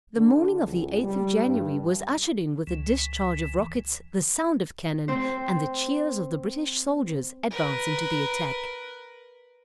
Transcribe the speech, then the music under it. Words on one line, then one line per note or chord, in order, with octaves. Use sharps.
The morning of the eighth of January, was ushered in with the discharge of rockets, the sound of cannon, and the cheers of the British soldiers advancing to the attack.
D3
C#2
G3
G2
C#2 E3
C4 C5
A#4 B4